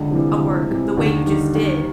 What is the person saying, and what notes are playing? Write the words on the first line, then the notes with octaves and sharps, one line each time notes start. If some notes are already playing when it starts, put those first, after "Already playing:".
w a work the way you just did,
Already playing: C#2 D3
C3 E3 G3
C#2
C3 E3 G3
D#2 D3
D#3 G3
D#2